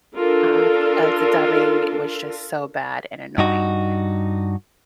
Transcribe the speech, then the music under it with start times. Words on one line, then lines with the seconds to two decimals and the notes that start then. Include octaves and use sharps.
uh, because the dubbing was just so bad and annoying.
0.16 D4 F4 A4 A#4
3.38 G2 D#4 F#4